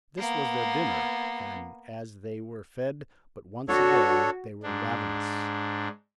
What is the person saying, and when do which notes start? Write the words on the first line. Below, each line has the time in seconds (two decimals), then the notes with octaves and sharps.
This was their dinner, and as they were fed but once a day they were ravenous.
0.19 A#3 B3
3.69 D4 F#4 A4 C#5
4.63 G#2 D4